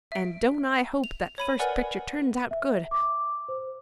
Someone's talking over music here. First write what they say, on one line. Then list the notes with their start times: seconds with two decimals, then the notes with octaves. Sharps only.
And don't I hope that first picture turns out good!
0.12 E5 D7
1.04 F7
1.38 C#5 B5 D#7
1.59 A#4 B4 D5 F#5 G#5
2.51 E5
2.91 D6
3.48 C5